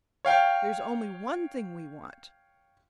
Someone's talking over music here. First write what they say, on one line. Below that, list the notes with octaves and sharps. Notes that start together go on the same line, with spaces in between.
"There's only one thing we want."
C#5 F5 G5